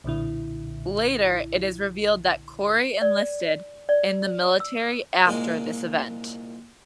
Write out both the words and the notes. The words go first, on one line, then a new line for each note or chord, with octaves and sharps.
Later, it is revealed that Cory enlisted in the military after this event.
B1 A#2 D3 E4
D5
D5
E6
C2 A#2 G#3 G#5